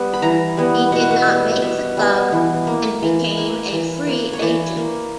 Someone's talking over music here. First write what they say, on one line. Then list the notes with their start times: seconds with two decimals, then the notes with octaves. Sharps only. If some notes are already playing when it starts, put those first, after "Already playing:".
He did not make the club and became a free agent.
Already playing: G3 B3
0.13 B5
0.22 E3 A#5
0.57 G3 B3
0.92 B2 F#5
1.02 E5
1.11 F#5
1.27 G3 B3
1.62 B2 E5
1.97 G3 B3
2.32 E3
2.67 A#3
3.03 E3
3.37 A#3
3.72 E3
4.07 A#3
4.33 C#5
4.42 E3 D5
4.77 A#3